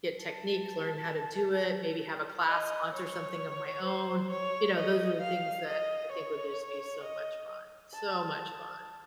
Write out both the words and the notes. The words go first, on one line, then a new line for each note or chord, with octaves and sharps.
get techniques, learn how to do it, maybe have a class, sponsor something of my own. You know, those are the things that I think would just be so much fun, so much fun.
A5
D#5
C#5
C5
C#5
D#5
F5
D#5
C#5
D#5
A5
A5